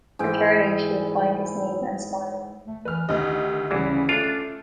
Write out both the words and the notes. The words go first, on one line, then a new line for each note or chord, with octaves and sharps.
Returning she would find his name, and smile.
G#2 E3 E4 G5
A3
E3 B4 F6
D2 D#3 G4 D#5
D2 C#3 E3 G3
C#4
A3 D4 F4 D7